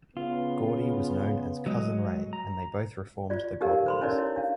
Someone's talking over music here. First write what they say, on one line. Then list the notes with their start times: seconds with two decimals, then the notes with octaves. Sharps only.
Gordy was known as Cousin Ray and they both reformed The Godwinns.
0.17 C#3 B3 F4
1.66 F#3 G#3 D#5
2.33 A#5
3.30 F4 D5
3.61 D#4 G4 A4 A#4 D5 F5
3.86 C5 B5 C6
4.01 C#4 D#4 E4 A#4 C#5 D5
4.16 E4 C#5
4.36 D4 F5